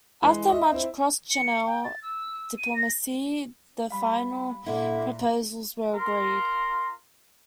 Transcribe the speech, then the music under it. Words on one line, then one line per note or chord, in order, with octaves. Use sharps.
After much cross-Channel diplomacy the final proposals were agreed.
E3 G#3
D#5 E5
C4 E4
C#7
G5
A6
E6
D#7
A#6
G3 F5 B5
A#2 D3 A#3 E4
F4 A#4 A#5 C6